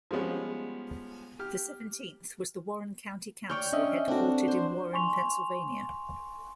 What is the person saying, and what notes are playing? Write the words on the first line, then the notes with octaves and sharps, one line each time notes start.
The seventeenth was the Warren County Council headquartered in Warren, Pennsylvania.
F3 G3 G#3 B3 C#4
G4 F6
C#5 D5 G5 C#6 F6 G6
C#4 D4 D#5 E5
C4 D4 F#4 A4
C5
G#5 C6 C#6 F7